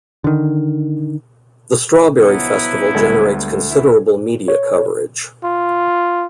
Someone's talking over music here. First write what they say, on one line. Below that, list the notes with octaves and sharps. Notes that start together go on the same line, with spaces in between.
The Strawberry Festival generates considerable media coverage.
D3 D#3
C#2 F3 F#3 B3 E4
D2 G3 G#3 A4 G#6
E3 E4
C#5
F4